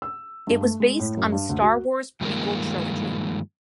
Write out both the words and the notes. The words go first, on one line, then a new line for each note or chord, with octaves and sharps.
It was based on the "Star Wars" prequel trilogy.
E6
G2
A3
G#3
A2
F#2
G2
D2
F#4
G2 D#3 F3 G#3 A#3